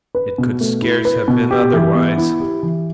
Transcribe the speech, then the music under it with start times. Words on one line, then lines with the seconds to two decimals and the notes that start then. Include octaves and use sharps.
It could scarce have been otherwise.
0.15 B4
0.38 B2
0.61 A3
0.82 E4
1.05 B4
1.28 B2
1.51 G4
1.73 E3
1.95 B3
2.17 E4
2.40 G4
2.63 E3